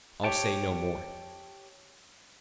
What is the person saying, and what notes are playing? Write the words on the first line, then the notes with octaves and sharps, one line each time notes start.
I'll say no more.
G4 C#5 G5 A5